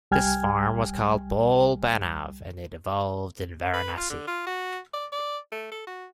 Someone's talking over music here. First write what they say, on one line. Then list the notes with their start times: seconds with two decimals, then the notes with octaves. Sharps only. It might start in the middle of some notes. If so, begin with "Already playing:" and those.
This form was called "bol-banav" and it evolved in Varanasi.
0.11 C2 G3 G5 G#5 F6 G#6
3.74 B4
3.97 F4
4.10 D3
4.27 F4
4.46 F#4
4.94 D5
5.12 D5
5.52 A3
5.71 A4
5.87 F#4